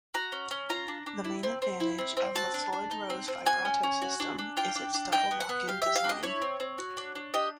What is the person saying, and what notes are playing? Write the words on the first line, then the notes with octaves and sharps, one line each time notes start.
The main advantage of the Floyd Rose vibrato system is its double-locking design.
F#4 A#5
C#4
C#4
F4 A#5
D4
D4
E4
C4
C4
E4
C4
C4
F#4 A5
D4
D4
D#4
C4
C4
F#4 G#5
C#4
C#4
F#4
D4
D4
F4 G5
D4
D4
D#4 G5
B3
F#5
B3
G4 F5
G4 E5
F5
D4 D#5
E4 C#5
C4
C4
F#4
D4
D4
G4 D#5